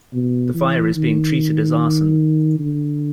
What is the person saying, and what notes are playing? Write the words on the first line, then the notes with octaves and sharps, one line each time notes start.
The fire is being treated as arson.
B2
E3
D#3
D3